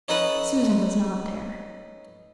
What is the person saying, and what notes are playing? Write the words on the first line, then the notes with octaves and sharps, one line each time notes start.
Susan was not there.
C#4 D#4 A4 B4 F#5